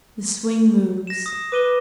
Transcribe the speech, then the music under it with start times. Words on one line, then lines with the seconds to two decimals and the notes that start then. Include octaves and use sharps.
The swing moves.
1.07 A#6 E7
1.26 D#6
1.52 B4 D6 D#7 G7